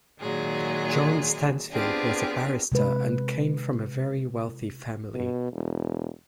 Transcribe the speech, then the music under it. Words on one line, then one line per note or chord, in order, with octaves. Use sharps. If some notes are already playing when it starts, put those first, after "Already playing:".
John Stansfield was a barrister and came from a very wealthy family.
A#2 D#3 F#3 G#3 G#4
B3 C4 D4 F4 G4 G#4
C3 G#3 B4
B2
E1